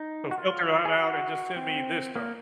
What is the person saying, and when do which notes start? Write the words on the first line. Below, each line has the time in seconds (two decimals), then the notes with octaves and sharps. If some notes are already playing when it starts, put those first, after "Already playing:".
so filter that out and just send me this stuff.”
Already playing: D#4
0.31 F#4
0.38 F4
0.85 G#4
0.97 F#4
1.56 C4
2.16 A#3